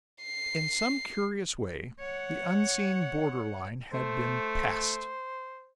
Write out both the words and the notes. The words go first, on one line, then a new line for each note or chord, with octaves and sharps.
In some curious way the unseen border line had been passed.
C7
C#5 F#5
A3 C5